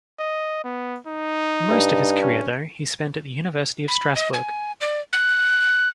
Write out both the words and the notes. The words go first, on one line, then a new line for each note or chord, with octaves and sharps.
Most of his career, though, he spent at the University of Strasbourg.
D#5
B3
D#4
G2
C#4
B5
D#5
G#5
D5
F#6